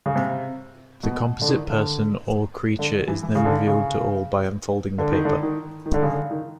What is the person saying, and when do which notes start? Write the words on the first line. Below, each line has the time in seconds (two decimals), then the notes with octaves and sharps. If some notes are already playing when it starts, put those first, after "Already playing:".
The composite person or creature is then revealed to all by unfolding the paper.
0.06 C#3
0.16 C3
1.03 B2
1.42 D3
1.48 D#3
1.69 D3
2.79 D3
3.08 E3
3.23 E3
3.35 C#3
3.45 D3
3.67 C#3
4.98 D3
5.12 D#3
5.25 D3
5.43 D#3
5.86 D#3
5.94 D3
6.02 C#3
6.09 D3
6.31 D#3